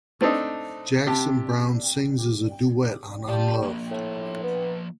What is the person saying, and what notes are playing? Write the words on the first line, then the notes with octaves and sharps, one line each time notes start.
Jackson Browne sings as a duet on "Unloved".
A3 C4 D4 D#4
C3 G4 A5
G3 F5 A5
F3 A#3
A2
B3